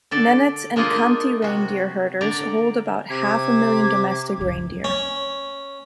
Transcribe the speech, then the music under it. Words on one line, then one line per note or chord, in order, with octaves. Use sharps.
Nenets and Khanty reindeer herders hold about half a million domestic reindeer.
D3 A4 D5
G#3 A#3 D4 D#4 F4 D#5
C3 F#4
D3 D5 A#5
C3 D6 G#6
C#2 F#2
C#4